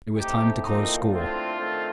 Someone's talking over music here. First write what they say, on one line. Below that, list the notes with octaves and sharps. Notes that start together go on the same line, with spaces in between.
It was time to close school.
A2 A3 C4 D#4 G4
A2 F3 A#3 C4 D#4
A2 A3 C4 D4 F4
D#3 A3 C4